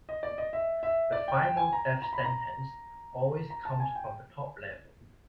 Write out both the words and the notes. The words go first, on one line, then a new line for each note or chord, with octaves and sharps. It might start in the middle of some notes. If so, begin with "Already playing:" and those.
The final death sentence always comes from the top level.
D#5
D5
D#5
E5
E5
D5
G5
G5
G#5
A#5
A#5
B5
A#5
A#5
A5
G#5
G5